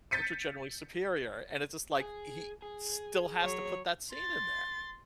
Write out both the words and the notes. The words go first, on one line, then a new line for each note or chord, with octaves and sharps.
Which are generally superior, and it's just like he still has to put that scene in there.
G6 A6 B6 C#7 D#7
G#4
G#4
F#3 C#5
C6 A6